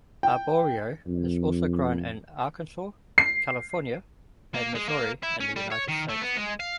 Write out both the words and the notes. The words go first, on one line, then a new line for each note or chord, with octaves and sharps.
Arborio is also grown in Arkansas, California, and Missouri in the United States.
G5
F2
C7
A#3
G#3
A#3
E4
C#4
G3
C#5
D#3
A3
B3
G#3
F5